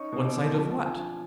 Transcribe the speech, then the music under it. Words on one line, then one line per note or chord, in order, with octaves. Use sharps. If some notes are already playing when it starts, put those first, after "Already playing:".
'One side of WHAT?
Already playing: C#4 D#4 C#6
B2
D6
C4
F3 A5
F3
G#5
D4